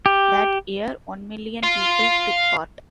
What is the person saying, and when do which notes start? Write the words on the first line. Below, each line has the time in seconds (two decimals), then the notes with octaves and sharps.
That year one million people took part.
0.06 G4
1.64 F5 C6